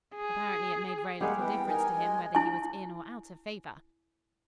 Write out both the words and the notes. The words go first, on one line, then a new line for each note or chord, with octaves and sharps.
Apparently, it made very little difference to him whether he was in or out of favor.
G#4
G3 G#3 A#3 G4 G#4 F#5
E3 B3 G5
D#4 A#4 G#5
G#3 D#5
E4 G#5